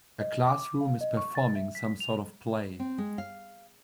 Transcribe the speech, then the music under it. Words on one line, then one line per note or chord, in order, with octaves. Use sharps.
A classroom is performing some sort of play.
D#5
D6
F5
D#5
C#6
A6
E5
B6
F7
C4
G#3
F5